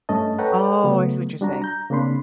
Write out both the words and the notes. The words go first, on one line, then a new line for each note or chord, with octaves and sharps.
Oh, I see what you're saying.
G2 A3 C#4 D#5 A5
A4 B4 C#5 F#5 G5 A#5
C#3 F#3 A3 B3
G3 D4 F#4 A#5
A#5 G6
C#3 A#3 C4 D4 B5 C6